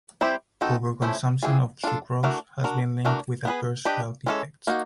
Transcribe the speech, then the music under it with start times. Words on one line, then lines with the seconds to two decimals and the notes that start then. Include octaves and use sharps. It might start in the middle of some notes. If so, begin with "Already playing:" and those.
Overconsumption of sucrose has been linked with adverse health effects.
0.21 G3 C4 E4 G4 C5
0.61 C4 D#4 F#4 A4
1.02 F3 A3 C#4 E4
1.43 E3 G#3 C4 F4 G#4
1.84 D4 F4 A4
2.23 E3 A3 D4 F#4 A#4
2.64 D4 F#4 A#4
3.05 E3 A3 D4 F#4 A#4
3.45 B3 E4 G#4 B4
3.85 D4 G4 B4 D#5
4.26 E3 G#3 C#4 F4 A4
4.67 A#3 D#4 F#4